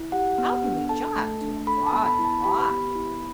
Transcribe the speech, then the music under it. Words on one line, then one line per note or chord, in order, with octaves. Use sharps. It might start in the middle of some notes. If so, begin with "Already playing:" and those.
"How can we jog To a frog in a fog?"
Already playing: E4
G4 F#5
B3
D4
A4 A5
A3
D4
A4 B5
A5
B3
B5
E4
A5
G4 B5
B3
E4